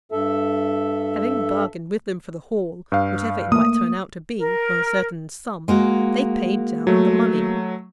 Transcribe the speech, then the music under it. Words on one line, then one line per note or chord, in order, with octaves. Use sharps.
Having bargained with them for the haul, whatever it might turn out to be, for a certain sum, they paid down the money.
G2 A4 E5
G2 F5
A3 A#3 D#6
A#4
G#3 A#3 F#4
F#3 A3